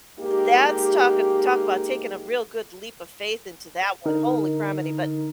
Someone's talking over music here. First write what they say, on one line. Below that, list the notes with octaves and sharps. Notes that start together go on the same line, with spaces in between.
that's talking talk about taking a real good leap of faith into that one. Holy grammity. But
G#3 A#3 D#4 G4
D3 D#4 A#4